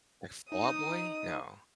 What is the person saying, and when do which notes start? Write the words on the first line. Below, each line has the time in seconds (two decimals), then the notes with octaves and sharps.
Like Fallout Boy? No.
0.52 D#4 D#6